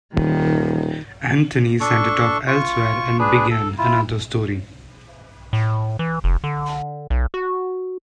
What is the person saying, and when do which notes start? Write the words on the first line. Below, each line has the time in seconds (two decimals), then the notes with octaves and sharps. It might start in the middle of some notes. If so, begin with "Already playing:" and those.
Anthony sent it off elsewhere and began another story.
0.15 D#1 D#3
1.81 D4 A4 C#6
2.48 F4 C#6
3.19 D4 G#4 B4
3.51 A4
3.78 E4 F4
5.53 A2
5.99 E3
6.24 F1
6.44 D3
7.10 B1
7.34 F#4